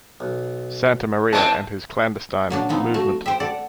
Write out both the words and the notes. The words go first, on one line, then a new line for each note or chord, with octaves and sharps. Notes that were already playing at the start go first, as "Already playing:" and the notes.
Santamaria and his clandestine "Movement".
B1
E3 G#3 C4 D4 A5
A#2 F#3 D4
F3 B3 C4 D#4
A3 F#4
C5 E5 G5
A4 D5 F#5